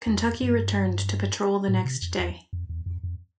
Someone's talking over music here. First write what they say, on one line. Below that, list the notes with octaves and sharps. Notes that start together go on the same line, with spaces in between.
Kentucky returned to patrol the next day.
E2
F2
G2
A2
C3
F2
E2
F2
E2
F2
F2